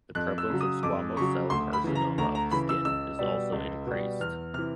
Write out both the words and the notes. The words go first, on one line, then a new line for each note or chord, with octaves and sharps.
The prevalence of squamous cell carcinoma of the skin is also increased.
F2 F#6
E6
C#3 F#3
D#6
F2 D6
C#3 F#3 C#6
D2 C6
B5
C#3 E3
A#5
D2 A#5
A#5
C#3 E3 B5
E6
C#2 E6
B2 G3
C#2
B2 G3
E2 F6
C3 E3 F6